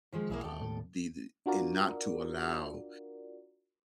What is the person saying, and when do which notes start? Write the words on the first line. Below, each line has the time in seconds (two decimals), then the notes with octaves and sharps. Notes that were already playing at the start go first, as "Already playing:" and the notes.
um, be the and not to allow
0.12 D#3 F3 G#3
0.30 B1 A#3 E4 G#4
0.44 D#2 A4 G5
0.61 D#2 A2
1.46 D4 F4 F#4 A#4 D5